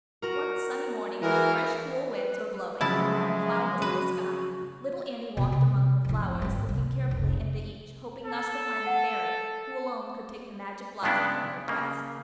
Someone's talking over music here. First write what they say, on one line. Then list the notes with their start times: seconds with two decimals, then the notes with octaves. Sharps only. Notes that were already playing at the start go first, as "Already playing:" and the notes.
One sunny morning, when the fresh, cool Winds were blowing, and not a cloud was in the sky, little Annie walked among her flowers, looking carefully into each, hoping thus to find the Fairy, who alone could take the magic blossom from her breast.
0.22 F#4 A#4
1.22 E3 F#4 G#4 A#4
2.12 B4
2.81 C#3 F3 F#3 G#3 E4 E5 A5
3.82 F#4 B4
5.37 B2 A#3
5.52 C3
6.05 F2 A2
6.42 G#1 G3
6.69 C2
7.11 F1
8.26 A4
8.84 F#5 A5
11.03 G2 C#3 G#3 B3 D4 E4
11.68 C#3 A#3